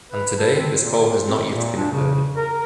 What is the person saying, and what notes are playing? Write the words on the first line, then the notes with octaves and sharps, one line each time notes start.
And today, this call has not yet been heard.
B4
A4
C4
A#2
C4
A#2
D4
C#3
A#4